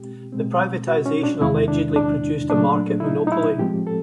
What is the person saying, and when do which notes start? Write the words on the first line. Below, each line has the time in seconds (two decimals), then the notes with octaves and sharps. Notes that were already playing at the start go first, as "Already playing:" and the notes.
The privatisation allegedly produced a market monopoly.
Already playing: B2 G#3 C4 G4
0.32 B2 G#3 C4
0.87 F#4
1.06 C#4
1.23 D4
1.41 E2 C3 D#3 G#3 E4
1.68 D4
1.96 D4
2.50 A#2 F#3 A3 D4
3.00 E4
3.04 D#4
3.27 D#4
3.32 E4
3.59 A2 F3 G#3 C4 G4
3.87 A4